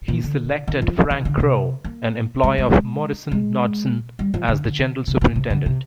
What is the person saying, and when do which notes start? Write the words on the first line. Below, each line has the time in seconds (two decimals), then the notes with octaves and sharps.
He selected Frank Crowe, an employee of Morrison-Knudsen as the General Superintendent.
0.08 A#2
0.24 D3
0.68 D#3
0.82 F3
1.11 D#3
1.25 D3
1.40 C3
1.84 A#3
2.43 G#3
2.58 G#3
3.31 G#3
4.19 G3
4.34 F3
4.48 D3
5.07 C3
5.21 A#2
5.36 C3
5.50 D3
5.66 C3